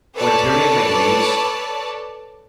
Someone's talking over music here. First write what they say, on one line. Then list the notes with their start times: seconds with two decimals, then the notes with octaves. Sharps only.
when Tyrion, like, leaves,
0.17 A4 B4 C#5 D5 A5